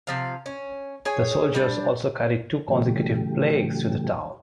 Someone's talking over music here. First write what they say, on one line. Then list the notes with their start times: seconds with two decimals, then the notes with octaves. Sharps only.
The soldiers also carried two consecutive plagues to the town.
0.07 C3 F3 F5
0.46 C#4
1.05 G#4 C#5 G#5
1.55 G3 D4
2.68 A2 C#3 E3 F#3 A3 G4